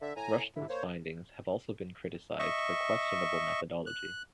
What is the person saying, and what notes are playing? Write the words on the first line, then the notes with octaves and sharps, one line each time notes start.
Rushton's findings have also been criticized for questionable methodology.
D3 E5
A2 G#5 A#5
G#2 C3 E4
A#3 C5 C#5
D#5 E5 C#6
F#6